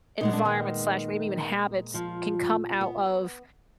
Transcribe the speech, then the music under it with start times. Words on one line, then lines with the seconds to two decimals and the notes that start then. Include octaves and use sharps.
environment slash maybe even habits can come out of
0.20 A#2 G#3 B3 D#4
0.33 D4
0.45 D#3 D#4
1.94 F3 F4
2.81 B3